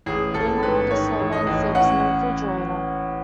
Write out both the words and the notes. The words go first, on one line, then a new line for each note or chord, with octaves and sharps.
Meanwhile, the snowman sleeps in the refrigerator.
A1 G#4
A1 A4
G#2 B4
D#3 C#5
A1
D#5
A1
C#4 F#5